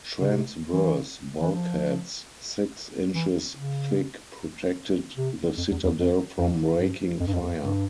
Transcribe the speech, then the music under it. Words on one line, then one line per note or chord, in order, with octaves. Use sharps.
Transverse bulkheads six inches thick protected the citadel from raking fire.
C#3
C3
E3
E3
F3
E3
C#3
C3
F2
E2
E2
F2
F2
G2
F2
G2
F2
E2
F2
G2